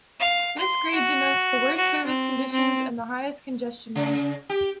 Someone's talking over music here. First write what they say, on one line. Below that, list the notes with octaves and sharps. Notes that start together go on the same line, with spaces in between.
This grade denotes the worst service conditions and the highest congestion rate.
F5
C6
F#4
F#4
C4
C4
C#3
G4